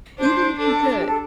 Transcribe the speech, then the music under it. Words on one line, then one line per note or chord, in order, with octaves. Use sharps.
Even if you could,
D4 C5
D4 A4
G4
A4